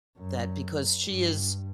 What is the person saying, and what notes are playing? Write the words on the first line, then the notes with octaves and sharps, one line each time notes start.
That because she is
F#2
G2